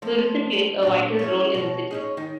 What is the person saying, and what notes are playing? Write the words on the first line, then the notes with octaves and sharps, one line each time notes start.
Tourism plays a vital role in the city.
F3 A3
A#2 C4 D4
C#4 E4 G#4
B2 F#4 C#5
C#4 D#4 G#4
D#3 D#4